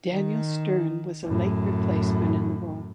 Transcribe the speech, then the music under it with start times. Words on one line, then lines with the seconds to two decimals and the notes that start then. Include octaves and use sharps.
Daniel Stern was a late replacement in the role.
0.10 D#3
1.24 F#2 A2